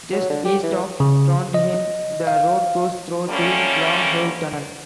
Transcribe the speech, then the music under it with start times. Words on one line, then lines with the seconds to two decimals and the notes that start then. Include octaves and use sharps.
Just east of Trondheim, the road goes through the long Hell Tunnel.
0.13 F#3
0.30 D3
0.45 G4
0.63 E3
1.00 C#3
1.54 D#5
2.27 F5
3.30 D3 G3 A3 A#3 C#4